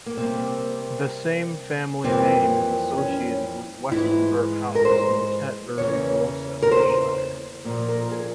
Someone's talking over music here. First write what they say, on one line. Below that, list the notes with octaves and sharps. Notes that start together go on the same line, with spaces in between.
The same family name is associated with Westonbirt House near Tetbury, Gloucestershire.
A#3
C3 G3 A#3 C4
F2 E3 G3 A#3 C4
C#4
G#2 E3 G#3 E4
A#4
C5
E2 C#3 E3 A#3 C#5
A#4
C5
A#2 F3 A#3
A#4
G#4